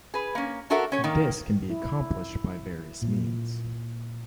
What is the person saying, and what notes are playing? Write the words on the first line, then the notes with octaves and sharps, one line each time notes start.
This can be accomplished by various means.
G#4 B4
A#3 C#4
D4 F#4 A4 A#4 E5 F#5
C#4 C#5
D#3 A#3
E4
A#2